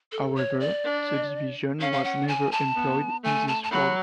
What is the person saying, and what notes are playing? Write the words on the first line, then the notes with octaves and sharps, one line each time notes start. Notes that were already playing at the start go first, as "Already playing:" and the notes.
However, the division was never employed in this role.
A4
C#5
D5
D4
C#4 F5
F5
F#5
G#5
A5
B3
A3 G#5
A5
A5
F#3 B5